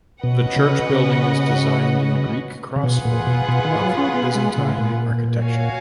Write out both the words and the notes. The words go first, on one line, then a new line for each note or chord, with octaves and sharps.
The church building is designed in Greek cross form of Byzantine architecture.
B2 C#4 F#4 B4 D#5 F#5
C#3
C#3
C#3
B2 F4 G#4 B4 F#5
A#2
B2
B2
D#3
F#3
C#4
B3
G#3
C#3
A#2
F#4 C#5 F5 G#5